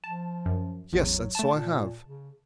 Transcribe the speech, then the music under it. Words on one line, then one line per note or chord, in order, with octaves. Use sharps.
Yes, and so I have.
F3 A5
F#2
A1 E2 F#3
A3 A5
A#2
C#3